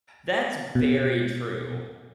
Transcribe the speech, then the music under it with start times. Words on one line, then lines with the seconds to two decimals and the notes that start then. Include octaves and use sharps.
That's very true.
0.75 B2